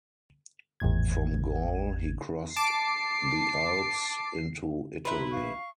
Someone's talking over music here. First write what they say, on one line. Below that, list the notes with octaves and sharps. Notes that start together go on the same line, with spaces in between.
From Gaul he crossed the Alps into Italy.
G#1 E2 A2 G#6
A5 D6 C7 D7
E4 B4 A#5 C6
F5 C#6